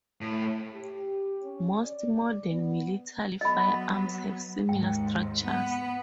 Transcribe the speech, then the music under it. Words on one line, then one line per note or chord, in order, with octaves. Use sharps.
Most modern military firearms have similar structures.
A2
G4
C#4
D5
B3
F#3 B3 D#5 B5
D#2 G#2 G5
B3 F#5